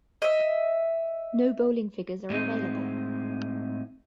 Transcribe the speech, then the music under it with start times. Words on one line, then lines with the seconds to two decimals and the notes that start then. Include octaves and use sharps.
No bowling figures are available.
0.22 D#5 E5
2.30 A2 G#3 C4 D#4